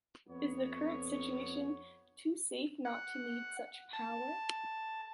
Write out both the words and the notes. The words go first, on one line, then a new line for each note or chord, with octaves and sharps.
Is the current situation too safe not to need such power?
F2 B3 C#5
F#5
A5